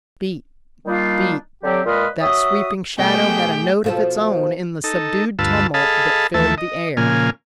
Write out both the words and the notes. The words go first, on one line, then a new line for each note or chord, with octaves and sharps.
"Beat, beat," that sweeping shadow had a note of its own in the subdued tumult that filled the air.
D#3 G3 A#3 D4 D#4 F4
D3 F#3 C4 G4
A#2 G#3 F4 B4 D#5 F6
F#3 F#4 E5 D#6
B2 A3 G4 G#4 G5
B2 F3 A4
D#4 A4
D2 G2 F4 B4 A5 E6
G#4 A4 D#5 F5 A5 B5
D#2 E3 F3 A3 E5 A5
D#5
A#2 C#3 F3 A#3 G#5 F6